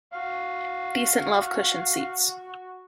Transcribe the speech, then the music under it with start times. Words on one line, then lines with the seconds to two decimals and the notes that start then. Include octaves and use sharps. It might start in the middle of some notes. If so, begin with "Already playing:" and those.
Decent love cushion seats.
0.12 F#4 F5